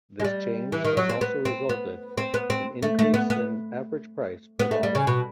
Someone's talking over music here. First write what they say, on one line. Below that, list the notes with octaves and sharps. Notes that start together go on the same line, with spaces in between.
This change has also resulted in increase in average price per bottle.
G#3
G3
E3
D#3
F#3
C4
B3
C4
B3
C4
B3
C4
A3
A3
B3
B3
B3
A3
G3
C#3
B2